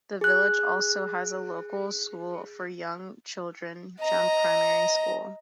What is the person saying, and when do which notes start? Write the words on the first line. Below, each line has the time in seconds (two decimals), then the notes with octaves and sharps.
The village also has a local school for young children, Jump Primary School.
0.21 G#4 F#6
4.00 D#5 A#5